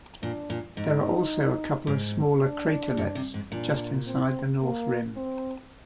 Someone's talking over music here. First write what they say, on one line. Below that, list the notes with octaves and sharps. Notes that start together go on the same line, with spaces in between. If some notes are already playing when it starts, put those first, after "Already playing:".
There are also a couple of smaller craterlets just inside the north rim.
A#2 D4
A#2
G#2 D#4
G#2
D4
G2
C3
G#2
A#2 D4
C4
A#3
C4